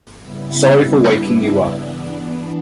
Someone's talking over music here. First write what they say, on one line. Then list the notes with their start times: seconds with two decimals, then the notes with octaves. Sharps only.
Sorry for waking you up.
0.20 C#3 G3 B3 E4
0.94 C#3 G3 B3 D4 E4
1.69 E3 B3 D4